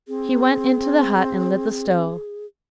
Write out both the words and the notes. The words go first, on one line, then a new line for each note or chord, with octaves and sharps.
He went into the hut and lit the stove.
C4 G#4